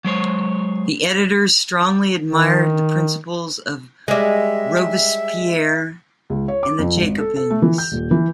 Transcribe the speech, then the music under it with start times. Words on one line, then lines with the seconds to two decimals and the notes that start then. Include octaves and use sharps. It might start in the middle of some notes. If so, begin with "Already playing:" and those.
The editors strongly admired the principles of Robespierre and the Jacobins.
0.05 F#3 G#3 C5 C#5
2.28 D#3
4.08 G3 G#3 E5
6.30 C#2
6.48 C#5
6.63 D6
6.79 F2
6.97 G#1
7.18 A4
7.36 A4
7.50 A3
7.62 E3
7.78 G6
7.92 D#1
8.11 E3